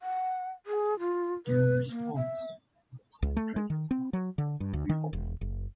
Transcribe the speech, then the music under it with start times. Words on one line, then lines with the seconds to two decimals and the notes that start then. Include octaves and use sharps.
Their response was to threaten revolt.
0.01 F#5
0.66 G#4
0.99 F4
1.46 B4
1.90 A#3
2.16 E5
3.22 C#2
3.37 A3
3.56 G#3
3.70 D#3
3.91 C4
4.13 F#3
4.38 D3
4.60 G2
4.73 D2
4.89 D#3
5.13 E1
5.41 F#1